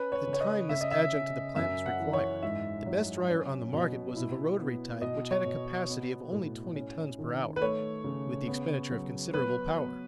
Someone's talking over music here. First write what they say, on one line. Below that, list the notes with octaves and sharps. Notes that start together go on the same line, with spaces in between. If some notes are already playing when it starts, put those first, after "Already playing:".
At the time this adjunct to the plant was required, the best dryer on the market was of a rotary type, which had a capacity of only twenty tons per hour, with the expenditure of considerable power.
Already playing: C#4 B4
C#5
C#3
C#5
D#5
C#3 E5
D#5
E5
C#4
F#2 E5
F#5
E3
C#5
G#2 E5
F#3
C#4
B2
E4
B3
B2 D#5
C#5
B2
B3
A2
C#4
D#3
B4
A3 C#5
C#3
B3
F#3
B3 B4
B3